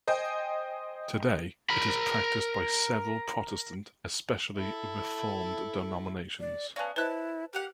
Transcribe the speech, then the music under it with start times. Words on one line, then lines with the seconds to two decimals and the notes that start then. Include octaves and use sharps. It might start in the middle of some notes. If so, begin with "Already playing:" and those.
Today it is practised by several Protestant, especially Reformed denominations.
0.07 C5 D#5 G5 G#5
1.70 A#4 B5
4.56 E4 A4
6.40 D5
6.76 B3 C#4 D5 F5 G#5 A5
6.96 E4 B4 C5 D#5 A5 F#6
7.53 A#3 G4 F5 F#5